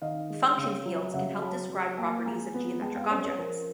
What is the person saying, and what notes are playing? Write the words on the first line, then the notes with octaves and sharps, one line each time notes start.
Function fields can help describe properties of geometric objects.
D#3 D#5 F5
G#3
C#3
F#3
C#3 E5 F#5
F#3 A5 B5
F#3
A#3 G5 A5
G#3 G#5 A#5
B3
G#3 G5 A5
F5 G5
C#4 C5 D5
B4 C#5
F3 A#4 C5